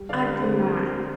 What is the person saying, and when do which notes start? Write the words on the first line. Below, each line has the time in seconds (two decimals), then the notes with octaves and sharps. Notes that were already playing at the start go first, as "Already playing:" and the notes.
I do not.
Already playing: G3
0.09 D3 D5 F5
0.25 C4 A#4
0.42 D3 C5